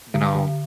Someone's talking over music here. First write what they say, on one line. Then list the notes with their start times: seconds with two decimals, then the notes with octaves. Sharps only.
you know,
0.14 D3
0.35 D3